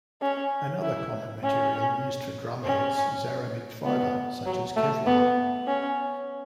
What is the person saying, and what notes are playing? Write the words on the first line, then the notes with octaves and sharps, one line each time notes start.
Another common material used for drumheads is aramid fiber, such as kevlar.
C#4
E4
C#4
C#4
B3
F#3
A3
B3
C#4